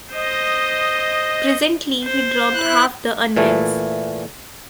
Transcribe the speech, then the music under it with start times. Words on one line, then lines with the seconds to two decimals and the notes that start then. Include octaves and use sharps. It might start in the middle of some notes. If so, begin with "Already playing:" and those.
Presently he dropped half the onions.
0.13 C5 D#5 D#6
2.04 C5
2.53 E4 F#6
3.37 A#2 E3 A3